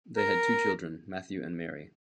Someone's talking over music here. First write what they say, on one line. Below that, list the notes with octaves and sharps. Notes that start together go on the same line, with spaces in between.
They had two children, Matthew and Mary.
A#4